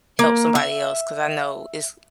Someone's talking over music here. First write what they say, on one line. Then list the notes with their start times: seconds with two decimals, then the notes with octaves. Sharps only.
help somebody else- 'cause I know it's
0.19 A#3
0.55 E5